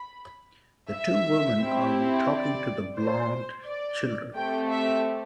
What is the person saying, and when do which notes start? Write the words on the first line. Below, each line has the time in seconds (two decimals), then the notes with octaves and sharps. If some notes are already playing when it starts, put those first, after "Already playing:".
The two women are talking to the blond children.
Already playing: B5
0.91 E5
1.60 C4 E4 G4
2.29 D5
2.97 C5
3.66 D5
4.35 A3 C4 G4 G5
4.69 E5